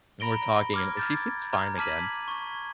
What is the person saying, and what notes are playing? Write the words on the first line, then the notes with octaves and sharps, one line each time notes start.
and we're talking, and, eh, she seems fine again,
A#5 B5 A#6 D7 G7
D6 F6 G#6
F6 G6 A6
A#5 F6 G#6
A5 D6 F6 B6 D#7 F#7
C#6 G#6